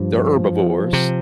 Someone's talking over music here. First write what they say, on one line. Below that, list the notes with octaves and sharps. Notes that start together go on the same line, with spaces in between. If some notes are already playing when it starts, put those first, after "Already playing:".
they're herbivores,
Already playing: G2 F3
C3